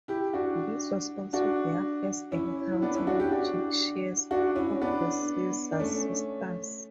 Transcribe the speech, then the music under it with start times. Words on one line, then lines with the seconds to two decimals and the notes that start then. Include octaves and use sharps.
This was also their first encounter with Jake Shears of the Scissor Sisters.
0.08 E4 G4
0.33 D4 F#4
1.33 D4 F#4
2.32 C#4 E4
2.72 E4
2.82 B3 D4
2.95 C#4 E4
3.07 D4 F#4
3.19 E4 G4
3.31 D4 F#4
4.31 D4 F#4
4.55 C#4 E4
4.81 B3 D4
5.72 D4
5.80 A3 C#4